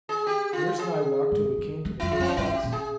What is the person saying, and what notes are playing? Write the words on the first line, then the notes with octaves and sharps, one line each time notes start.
Meares and I walked till we came to the first ice.
G#4
G4
F4
G#4
G#2
G2
E2
F2 E4
F4
F2 C4
C#4
G2 E4
G4
A#2
G#4